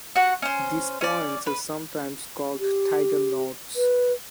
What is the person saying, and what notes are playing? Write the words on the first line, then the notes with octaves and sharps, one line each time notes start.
These points are sometimes called tidal nodes.
F#4 F#5
C#4 C5
C#4 D5
B4
G4
B4